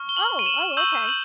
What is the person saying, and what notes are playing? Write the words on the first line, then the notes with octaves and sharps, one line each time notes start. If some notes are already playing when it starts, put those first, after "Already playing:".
Oh! Oh, okay.
Already playing: C#6 F6
G7
F#7
D#7
E7
C#6 E6 G6 F#7
F#7